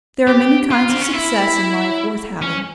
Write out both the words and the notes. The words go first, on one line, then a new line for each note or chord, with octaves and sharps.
There are many kinds of success in life worth having.
G4
F4
C4
C#4
E4
C#4